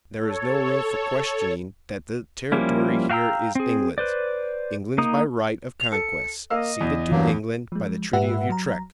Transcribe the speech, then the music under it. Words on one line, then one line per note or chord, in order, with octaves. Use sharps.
There is no room for questioning that the territory here is England's--England's by right of conquest; ceded to England by the Treaty of Utrecht.
A4 C#5
F3 G3 A#3 C#4 E4
F#4 F5 G5 A#5 E6
C4 G#4
B4 C5 D5
A#3 D#4 D#6
F7
A4 C#7
A#3 D#5 F5 E6
E2
G2 E3 F#3 A#3
F3 G#3
G#2 G4 B4 E5 F#5 E6
F#3 A#5